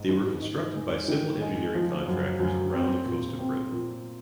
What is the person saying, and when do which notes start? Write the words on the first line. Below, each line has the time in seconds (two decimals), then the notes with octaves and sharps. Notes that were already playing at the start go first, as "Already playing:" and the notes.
They were constructed by civil engineering contractors around the coast of Britain.
Already playing: G#2
0.09 D#3
0.42 D#4
0.75 G#3
1.08 D#3
1.41 G#3
1.74 F3
2.07 F#2
2.40 F#2
2.73 C4
3.06 A#2
3.39 C4
3.72 A#2